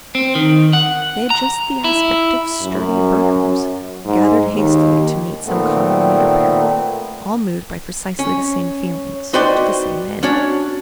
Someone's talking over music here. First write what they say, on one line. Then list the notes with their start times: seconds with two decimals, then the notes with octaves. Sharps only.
They had just the aspect of sturdy burghers, gathered hastily to meet some common need or peril, all moved by precisely the same feelings, to the same end.
0.15 C4
0.35 D#3
0.73 F#5
1.30 A#5
1.84 E4
2.61 F#2
4.06 G#2
4.55 D#2
5.43 A#2 D#3 A3 B3 C4
8.19 C#4
9.33 D#4 F#4 B4 C5 D5 G5
10.23 C#4 D4 F#4 C#5 D5